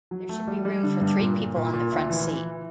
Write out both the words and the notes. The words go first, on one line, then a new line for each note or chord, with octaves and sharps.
There should be room for three people on the front seat.
F#3
A3
G3
G3
D3
G2
A#2
A#2
A#2
A#2
D2
E3
E3